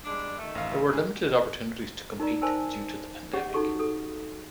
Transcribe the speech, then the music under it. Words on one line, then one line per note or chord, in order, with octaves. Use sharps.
There were limited opportunities to compete due to the pandemic.
G3 G#3 D4
D#3 A3
A1 F5
G#2 G#4
D#4 A#4 D5 A#5
A#4 C5 G#5 A5 E6
C#4 G4 G#4 C#5 F#5 D6
D#4 F#4 A4 C#6
A4 D#6